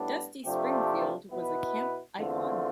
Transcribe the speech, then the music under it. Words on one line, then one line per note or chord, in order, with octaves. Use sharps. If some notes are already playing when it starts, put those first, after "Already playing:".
Dusty Springfield was a camp icon.
Already playing: A2 G3 B3 D4
C3 F3 A3 D4 G4
B2 B3 E4 B4
E2 D3 A3 C4 F4